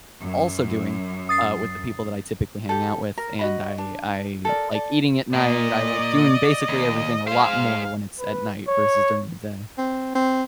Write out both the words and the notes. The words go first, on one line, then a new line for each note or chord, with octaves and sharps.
also doing, uh, with the people that I typically hang out with, and I I like eating at night, I like doing basically everything a lot more when it's at night versus during the day.
F#2
D#6 A6 C7
G4 A4
A#4
F#4 D#5 B5
D4
A4 A#4 D5
A4 D5
A#2 A#3 D5 D#5
D#2
G#3 C5 F5
B4
C#5
C4
C4